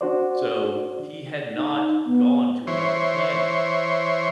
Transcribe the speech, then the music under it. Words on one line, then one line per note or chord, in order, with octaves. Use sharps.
So, he had not gone to another planet.
D4 F#4 C5 D5
D#4
B3
E3 C5 C#5